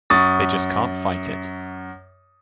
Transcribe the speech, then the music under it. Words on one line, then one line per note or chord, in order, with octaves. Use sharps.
They just can't fight it.
F#2 C#6 D#6 A6